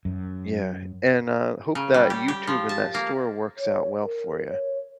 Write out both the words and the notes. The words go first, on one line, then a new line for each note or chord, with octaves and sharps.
Yeah, and, uh, hope that YouTube and that store works out well for ya.
F#2
C#3
G3
G4
G4
F3
A5
A#3
C#5
A#4
C#5